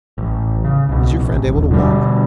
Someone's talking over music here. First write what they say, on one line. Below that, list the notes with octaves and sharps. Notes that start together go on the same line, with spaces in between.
"Is your friend able to walk?"
A1
C#3
C2 B2
A1
D#1
B2 D3 D#3 G3